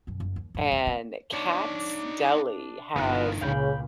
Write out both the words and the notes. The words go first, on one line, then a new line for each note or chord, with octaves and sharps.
And Katz Deli has
F#2 B2
F#1
D#2
F#2 A2
D#2
C3
D4 D#4 C#5
G1 D3 B3 D#4 F4 F#6
C#2 A#2 C#3 F5 G5 B5